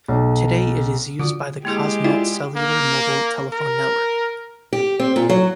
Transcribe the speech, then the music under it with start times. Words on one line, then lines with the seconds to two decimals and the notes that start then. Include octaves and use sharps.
Today it is used by the Cosmote cellular mobile telephone network.
0.08 B1
1.19 D3 F4 F#4
1.65 G#3 A#3 E4 G4 G#4
2.04 E4 F4 D5 G5
2.56 A#3
3.52 A#4
4.73 G4
4.99 C4
5.16 A#2
5.29 F#3